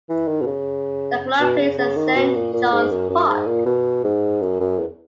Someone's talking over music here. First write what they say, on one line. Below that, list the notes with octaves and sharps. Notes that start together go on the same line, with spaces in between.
The club plays at Saint Johns Park.
E3
D#3
B2
C#3
B2
C#3
C#3
D#3
B2
A#2
A#2
G#2
F#2
F#2
G#2
A#2
B2
G#2
F#2
F#2
E2